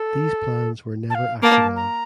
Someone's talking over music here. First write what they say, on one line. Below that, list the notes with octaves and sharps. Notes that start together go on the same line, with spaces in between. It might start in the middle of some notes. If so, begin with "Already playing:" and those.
These plans were never acted on.
Already playing: A4
A5
F5
A#3 A5
A#5